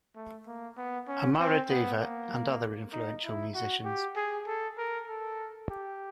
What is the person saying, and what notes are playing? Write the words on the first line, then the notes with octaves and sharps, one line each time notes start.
Amaradeva, and other influential musicians.
A3
A#3
B3
C#4
C4
B3
A#3
D#4
E4
F#4
G4
G#4
A4
A#4
A4
G4